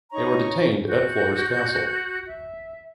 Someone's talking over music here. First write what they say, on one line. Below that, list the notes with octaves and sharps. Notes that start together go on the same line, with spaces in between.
They were detained at Floors Castle.
D#4 C#5 A#5 C#6
F#4 G6
E5